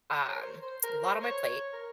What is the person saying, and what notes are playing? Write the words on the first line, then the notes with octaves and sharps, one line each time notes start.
um, a lot on my plate.
C#5
A#4
C5
C5
A#4
C5
C#5
A#4